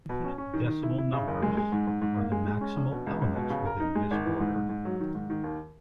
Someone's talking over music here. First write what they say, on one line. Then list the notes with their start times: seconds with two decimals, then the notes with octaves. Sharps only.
The infinite decimal numbers are the maximal elements within this order.
0.09 B2
0.24 C#4
0.38 C#4
0.53 D#3
0.68 D#3
0.83 E4
0.98 E4
1.13 C#3
1.28 F#1
1.42 G#3
1.57 G#3
1.72 G#2
1.87 G#2
2.02 G#2
2.17 A#3
2.32 G#3
2.47 G#3
2.61 C#4
2.76 A#1
2.91 B2
3.07 C#2
3.21 C#2
3.36 B2
3.50 C#3
3.66 A#4
3.80 D#4
3.95 G#3
4.11 G#1
4.25 E3
4.40 G#2
4.56 G#2
4.69 G#2
4.85 F#3
5.00 D#3
5.15 G#2
5.30 D#3
5.44 D#2